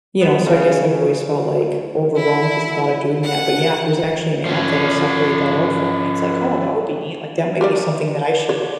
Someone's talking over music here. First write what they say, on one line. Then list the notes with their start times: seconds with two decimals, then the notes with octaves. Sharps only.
you know, so I guess I've always felt, like, overwhelmed with the thought of doing that. But, yeah, if there's actually an app that'll separate that out for me, it's like, "Oh, that would be neat," like, that might be something that I should
0.21 B3
0.46 C#3
2.16 E4
3.24 F#5
4.46 F3 C#4
7.61 G4 A#4 D5
8.49 C#5 D5